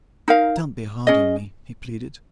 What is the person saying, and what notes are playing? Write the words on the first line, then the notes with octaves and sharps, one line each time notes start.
"Don't be hard on me," he pleaded.
D#4 A#4 F5
C#4 G#4 D#5